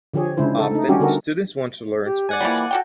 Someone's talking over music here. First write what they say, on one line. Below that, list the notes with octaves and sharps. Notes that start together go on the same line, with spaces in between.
Often, students want to learn Spanish.
D3 F3 G4 G#4 C#5
C#3 G#3 D4 E4 C5
D#4 A4
A3 D#4
G3 C#4 D4 F#4 G4
D3 B3 D#4 F#4 A4 A#4
G4
D5 F#5 G#5
E3 F3 G3 A#3
F#4 A4 G5